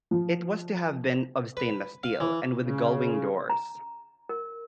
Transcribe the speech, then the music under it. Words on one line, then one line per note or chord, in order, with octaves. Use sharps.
It was to have been of stainless steel, and with gullwing doors.
F3
B4
F5
E3
C#3
A#5
A#4